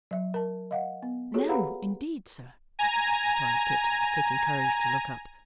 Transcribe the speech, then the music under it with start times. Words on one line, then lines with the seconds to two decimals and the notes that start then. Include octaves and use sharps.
'No indeed, sir,' replied Kit, taking courage to look up.
0.11 F#3 E5
0.34 A#4 A5
0.71 D#5 F5 F#5
1.03 B3
1.34 F4 F#4 G#4 A4 C#5
1.49 G4 B4 F5 F#5 A#5 B5
2.79 G#5 A#5